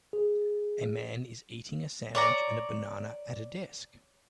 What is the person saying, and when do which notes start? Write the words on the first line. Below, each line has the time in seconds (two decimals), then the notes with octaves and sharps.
A man is eating a sandwich and a banana at a desk.
0.13 G#4
2.15 C#5 D5 A#5